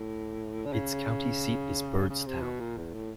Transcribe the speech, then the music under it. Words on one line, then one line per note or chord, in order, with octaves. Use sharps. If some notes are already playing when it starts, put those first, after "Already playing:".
Its county seat is Byrdstown.
Already playing: A2
D3
C#3
C#3
C3
B2
A#2
E2
A2